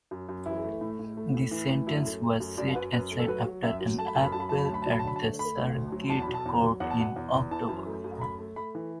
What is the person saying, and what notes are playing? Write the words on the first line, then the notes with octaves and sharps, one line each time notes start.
This sentence was set aside after an appeal at the circuit court in October.
F#2
F#2
E3 E4
A3
A2
A2
A3
A2
E3
A2
F#2 E4
A3
A3
F#2
F#2 D5
F#2 B4
F#2 B4
A3
A4
F#3 B4
F#3
F#2 E5
F#3
A3 A5
B5
F#2 A5
B5
F#2 A5
B5
F#3 A5
B5
A5
D2
B5
A5
F#3 B5
A5
D3 B5
A5
A3
A3 B5
D2
D2
F#3
E2 A5
B5
B2
A5
E2
F#3
E2 F#5
A5
B2 F#5
E2
E2
E3 A5
F#2
A3
F#2
A3 B5
A3
A3 B5
E3